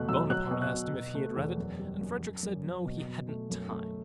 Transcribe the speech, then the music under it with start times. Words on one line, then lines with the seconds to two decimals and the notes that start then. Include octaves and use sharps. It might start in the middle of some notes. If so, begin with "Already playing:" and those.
Bonaparte asked him if he had read it, and Frederick said no, he hadn't time.
Already playing: E2 B2 A3 F#6
0.09 F#3 E6
0.30 F#3 F#6
0.51 B2
0.62 F#6
0.73 B2
0.94 B2
1.15 A3
1.36 E2
1.58 F#2
1.79 G3
2.01 F#2
2.22 F#2
2.43 F#2
2.64 F#2
2.85 B2
3.07 B2
3.28 A3
3.50 F#2
3.71 A3